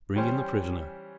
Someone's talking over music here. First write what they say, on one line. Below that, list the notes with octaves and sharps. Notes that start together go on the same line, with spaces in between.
"Bring in the prisoner."
E3 G3 C#4 G4 C5